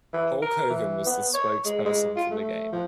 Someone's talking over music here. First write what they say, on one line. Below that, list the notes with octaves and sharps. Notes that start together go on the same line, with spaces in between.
Hulk Hogan was the spokesperson for the game.
E3
A#4
E3
B3
C#5
G#3
G#3
F4
A3
F3